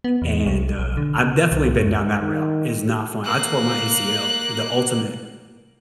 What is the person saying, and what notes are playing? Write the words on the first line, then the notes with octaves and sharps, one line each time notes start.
And, uh, I've definitely been down that route is not fun. I tore my ACL, the ultimate
B3
E2
C2
B1
D3
C#3
C2
F#2
D#3
A#3 F#6